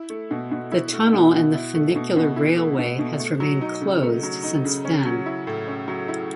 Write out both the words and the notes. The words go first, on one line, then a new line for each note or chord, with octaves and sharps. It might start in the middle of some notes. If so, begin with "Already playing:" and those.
The tunnel and the funicular railway has remained closed since then.
Already playing: E4
A3
B2
B2
E4
A3
B2
B2
E4
A3
B2
B2
E4
A3
B2
B2
A3
F#3
D#4
C#3
A3
F#3
D#4
C#3
C#4
F#3
E4
A2
C#4
F#3
E4